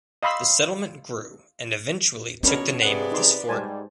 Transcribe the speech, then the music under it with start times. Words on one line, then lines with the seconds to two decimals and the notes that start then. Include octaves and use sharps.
The settlement grew, and eventually took the name of this fort.
0.23 D#5 F5 B5 C6 E6
2.43 A#1 B2 C#4 D4 A#4 C#5 B5
2.82 C3 B3 G#4 D5 F#5
3.12 D#4 C6 D6
3.48 G#2 G3 C5 G#5 A5